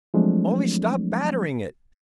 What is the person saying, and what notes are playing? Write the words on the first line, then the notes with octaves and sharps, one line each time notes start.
"Only stop battering it!"
F3 F#3 G#3 A3 C4 D4